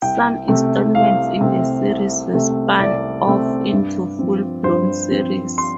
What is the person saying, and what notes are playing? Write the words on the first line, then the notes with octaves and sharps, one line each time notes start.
Some installments in the series were spun off into full-blown series.
C2 G5
C3 A3 C4
C2 F5
C3 A3 C4
C2
C3 A3 C4
C2 D5
C3 A3 C4
G2
F3 C4
G2 C5
F3 C4
C6